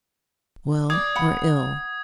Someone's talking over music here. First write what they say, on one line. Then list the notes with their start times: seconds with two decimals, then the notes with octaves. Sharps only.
Well or ill....
0.90 D5 D6 D#6 G#6
1.16 F#5 B5